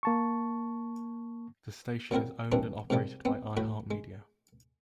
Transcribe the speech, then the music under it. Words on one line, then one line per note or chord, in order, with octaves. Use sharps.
The station is owned and operated by iHeartMedia.
A#3 A5 C#6
A#2 F#3 C4 E4 A#4
G2 D#3 E3 C4 D4
G#2 C3 D#3 F3 G3
B3 C4
A2 F#4 B5
G#3